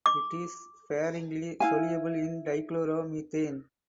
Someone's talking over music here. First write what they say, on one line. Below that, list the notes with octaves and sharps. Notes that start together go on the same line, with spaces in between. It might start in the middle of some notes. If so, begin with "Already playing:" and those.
It is sparingly soluble in dichloromethane.
D6
E4 F5 G#5